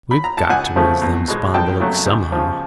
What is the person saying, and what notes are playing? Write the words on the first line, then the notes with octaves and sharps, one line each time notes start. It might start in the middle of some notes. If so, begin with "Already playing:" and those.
We've got to raise them spondulicks somehow.
B5
A#5
A5
C#2 F#5 G#5
C#3 F3 A3 C4
E2
B2 G#3
F2 G5 A5
C#3 F#3 A3
C#2
C#3 F3